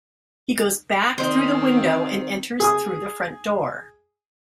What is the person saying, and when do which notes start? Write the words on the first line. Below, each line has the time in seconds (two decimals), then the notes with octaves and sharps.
He goes back through the window and enters through the front door.
1.18 D#3 C4 C5 D#5
2.60 G#4 D#6